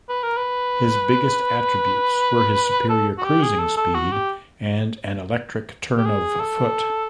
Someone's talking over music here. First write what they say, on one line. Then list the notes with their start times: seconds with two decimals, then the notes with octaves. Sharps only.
His biggest attributes were his superior cruising speed and an electric turn of foot.
0.09 B4
0.23 A#4
0.37 B4
2.89 A4
3.18 F#4
3.25 G4
3.42 G#4
3.59 A4
3.77 A4
3.94 F#4
4.12 G4
5.97 G4
6.05 G#4
6.40 A4